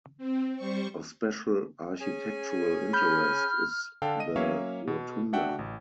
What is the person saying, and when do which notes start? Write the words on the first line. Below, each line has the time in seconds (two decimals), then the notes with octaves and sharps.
Of special architectural interest is the rotunda.
0.18 C4
0.56 G3 C5 C#6
2.00 C#4 G#4 G#5
2.93 B5 F6 G6
4.02 D3 D4 A4 F5 G5
4.20 D#5 D#7
4.36 F#3 A#3 C#4 C#5 E5 F5
4.87 B2
5.33 D4 F#4 E5 F#5 G5
5.59 A1